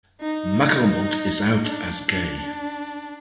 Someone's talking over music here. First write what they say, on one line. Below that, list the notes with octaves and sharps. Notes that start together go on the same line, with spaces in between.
McAlmont is out as gay.
D#4
D4
D4